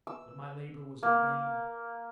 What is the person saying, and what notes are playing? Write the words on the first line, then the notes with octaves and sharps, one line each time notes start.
But my labor was in vain.
E6
A#3